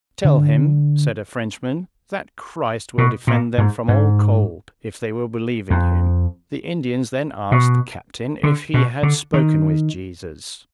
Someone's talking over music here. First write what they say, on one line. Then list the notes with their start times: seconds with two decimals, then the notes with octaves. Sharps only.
"Tell him," said a Frenchman, "that Christ will defend them from all cold, if they will believe in him." The Indians then asked the captain if he had spoken with Jesus.
0.25 D3
2.98 B2
3.27 A#2
3.58 G#2
3.88 G#2
5.70 F2
7.52 B2
8.43 D3
8.74 B2
9.03 D3
9.34 D#3